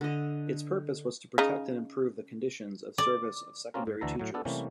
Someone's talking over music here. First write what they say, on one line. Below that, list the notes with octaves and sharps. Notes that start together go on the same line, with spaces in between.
Its purpose was to protect and improve the conditions of service of secondary teachers.
D3 D#5
C#3 D#4
D5
A#3 C4 C#4 F4 A#4
G#2
D2 D3 E3 A4 A#5
A2 F#3
B3 D4 A4
C3 E3 G3 A3 A#3 C#4